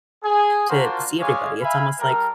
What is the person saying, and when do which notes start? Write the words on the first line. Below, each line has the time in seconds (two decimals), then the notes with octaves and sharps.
to see everybody, it's almost like
0.23 G#4
0.69 A#3 D4 F4 F#4 C5
1.20 G#3 C#4 G#4 D5 F5
1.61 E5 F5 G#5 B5
1.99 G3 A4 A#4